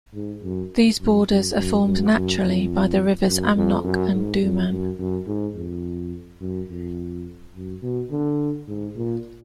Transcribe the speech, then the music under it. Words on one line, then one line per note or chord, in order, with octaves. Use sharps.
These borders are formed naturally by the rivers Amnok and Duman.
G#2
F#2
F#2
F#2
F#2
F#2
F#2
F2
F#2
F2
F#2
G#2
F2
F#2
F#2
G#2
F2
F#2
F2
F#2
B2
D3
G#2
A#2